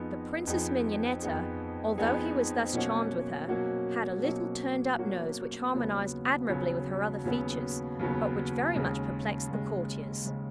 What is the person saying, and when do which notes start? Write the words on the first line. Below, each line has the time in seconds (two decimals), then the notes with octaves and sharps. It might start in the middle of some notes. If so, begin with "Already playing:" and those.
The Princess Mignonetta, although he was thus charmed with her, had a little turned-up nose which harmonized admirably with her other features, but which very much perplexed the courtiers.
Already playing: F2 F3 B3 D#4 G#4
0.47 F2 F3 B3 D#4 G#4
1.23 F2 F3 B3 D#4 G#4
1.98 F2 F3 B3 D#4 G#4
2.73 B2 F#3 A#3 C#4 F#4
3.49 B2 F#3 A#3 C#4 F#4
4.23 B2 F#3 A#3 C#4 F#4
4.99 B2 F#3 A#3 C#4 F#4
5.74 D#2 C#3 F#3 B3
6.49 D#2 C#3 F#3 B3
7.24 D#2 C#3 F#3 B3
7.99 D#2 C#3 F#3 B3
8.75 D#2 C#3 G#3
9.50 D#2 C#3 G#3
10.26 C#3 G#3